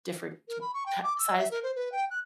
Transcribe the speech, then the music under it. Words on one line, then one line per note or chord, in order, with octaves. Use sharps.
different t ta size,
A#4
B5
C#6
G5
D6
E6
E5
A#4
C5
B4
G5
F#6